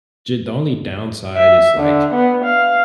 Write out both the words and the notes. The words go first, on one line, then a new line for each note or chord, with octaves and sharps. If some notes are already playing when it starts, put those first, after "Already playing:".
ju The only downside is, like
E5
D3
B3
F5